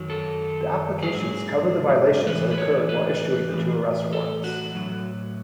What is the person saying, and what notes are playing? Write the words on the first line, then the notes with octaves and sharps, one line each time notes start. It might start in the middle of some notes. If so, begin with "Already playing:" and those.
The applications cover the violations that occurred while issuing the two arrest warrants.
Already playing: F#2 D#3 F#3
A4
G#2 F#3 G#4
A2 E3 B4
B4
C#5
B4
A2 E3
A4
F#4
A2 F#3